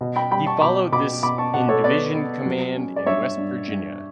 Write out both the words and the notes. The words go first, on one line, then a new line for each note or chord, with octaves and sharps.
He followed this in division command in West Virginia.
B2
G5 B5
G3 G5 B5
A5 C#6
B2 B5 D6
B2 B5 D6
B2 B5 D6
A5 C#6
B2 F#5 A5
A4 C#5
B3 B4 D5
B3
F#3
C#4
D5
G2 C#5 E5
G2
G2